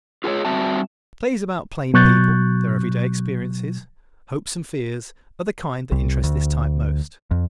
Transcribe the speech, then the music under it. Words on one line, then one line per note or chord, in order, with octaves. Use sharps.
Plays about plain people, their everyday experiences, hopes and fears are the kind that interest this type most.
F4 G#4 A4 C#5
G3 C4 F#4 E5 A5
B2 F#3 C#6 F#6 G6 A6
C2
D2
F2